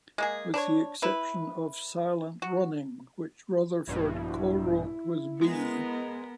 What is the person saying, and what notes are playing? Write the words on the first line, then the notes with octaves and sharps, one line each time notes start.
With the exception of "Silent Running", which Rutherford co-wrote with B.
G#3 A#3 G#4
D4 B4 C#5
E4 B4
F#4
A#1 G2 B2 E4
G#3 B3 A#4